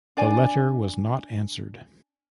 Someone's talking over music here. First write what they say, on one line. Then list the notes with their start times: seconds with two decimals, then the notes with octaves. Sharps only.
The letter was not answered.
0.17 D4 D5 G#5